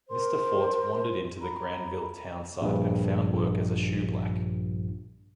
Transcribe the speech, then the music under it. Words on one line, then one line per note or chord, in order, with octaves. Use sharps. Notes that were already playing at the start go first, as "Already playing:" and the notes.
Mr. Fortes wandered into the Granville townsite and found work as a shoeblack.
A#4 C5 C6
A#5 B5
A#1 G2